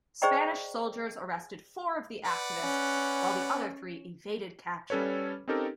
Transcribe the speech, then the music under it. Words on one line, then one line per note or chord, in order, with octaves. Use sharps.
Spanish soldiers arrested four of the activists while the other three evaded capture.
G#4 C5 D5 D#5 G5 A#5
B4 D5 F#5
C#4
G3 C#4 A4 B4 C#5
C4 C#4 D#4 G4 A4 A#4